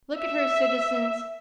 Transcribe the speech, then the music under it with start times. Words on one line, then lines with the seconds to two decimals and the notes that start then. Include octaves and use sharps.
Look at her, citizens!
0.17 E5